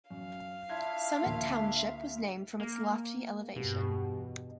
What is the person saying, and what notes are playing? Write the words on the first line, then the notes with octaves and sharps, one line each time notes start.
Summit Township was named from its lofty elevation.
F#2 F5
D4 E4 F4 E5 G#6
D2 A#3
A#3
E2 G2 B2 G4